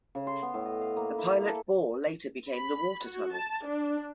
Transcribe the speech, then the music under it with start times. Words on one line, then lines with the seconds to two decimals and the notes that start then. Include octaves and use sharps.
The pilot bore later became the water tunnel.
0.15 C#3
0.27 C6
0.42 B3
0.54 A2
0.65 D#5
0.81 F5
0.96 A#3
1.18 E4
1.47 A4
2.51 B5
3.06 F#4
3.36 A5
3.68 D4